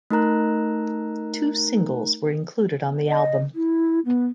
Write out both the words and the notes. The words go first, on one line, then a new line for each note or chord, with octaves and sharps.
Two singles were included on the album.
A3 D#4 A#4 A#5 F#6
D#5
E4
B3